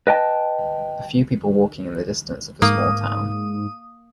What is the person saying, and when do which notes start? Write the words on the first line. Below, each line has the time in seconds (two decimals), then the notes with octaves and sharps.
A few people walking in the distance of a small town.
0.07 B4 D#5 G5 A5
2.62 G#2 A#3 D#6